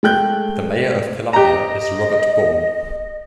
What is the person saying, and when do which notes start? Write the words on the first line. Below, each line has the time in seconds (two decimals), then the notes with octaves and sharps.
The mayor of Columbia is Robert Bourne.
0.03 G#3 A3 G5 F#6 G6
1.33 G4 D#5 A#5